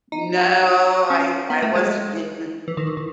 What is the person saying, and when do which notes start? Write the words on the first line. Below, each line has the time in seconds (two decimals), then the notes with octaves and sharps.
No. I I wasn't in
0.12 D#4
1.10 C#4
1.50 B3
1.62 A3
1.76 G#3
2.68 E3
2.77 D#3
2.87 E3
2.97 D#3